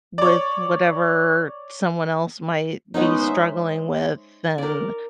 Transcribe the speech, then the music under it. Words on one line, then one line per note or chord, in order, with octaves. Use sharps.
with whatever someone else might be struggling with, and
C#5 D5
G#3 B3 C#4 D#4
C5 E5
A#4 D5